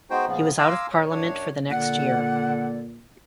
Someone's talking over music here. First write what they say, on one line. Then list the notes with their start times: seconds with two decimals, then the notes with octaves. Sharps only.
He was out of Parliament for the next year.
0.10 G#3 B3 D#4 F#4 C5 G5
0.27 A#2 C#3 F3 B3
0.58 F5 G#5 A#5 C6 D6 E6
0.91 C#5
1.10 F#2 D4 C#5
1.70 A#2 D3 D5 F#5